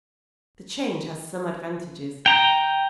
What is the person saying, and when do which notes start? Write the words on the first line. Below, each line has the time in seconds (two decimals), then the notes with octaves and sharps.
The change has some advantages.
2.26 G5 A#5